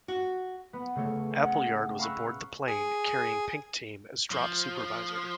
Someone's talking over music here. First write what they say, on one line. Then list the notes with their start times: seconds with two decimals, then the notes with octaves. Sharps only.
Appleyard was aboard the plane carrying 'Pink' team as drop supervisor.
0.08 F#4
0.73 B3
0.96 C#3 A3 C#5
1.30 C4 C#4 F#5 G5
1.99 F5 A#5 B5 C#6 E6 F#6
2.68 G#4
4.31 F3